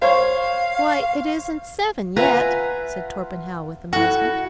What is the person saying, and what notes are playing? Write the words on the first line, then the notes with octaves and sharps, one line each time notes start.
'Why, it isn't seven yet!' said Torpenhow, with amazement.
C5 C#5 F5
F4 B4 E5 F#5 G#5 A#5
E4 F#4 A4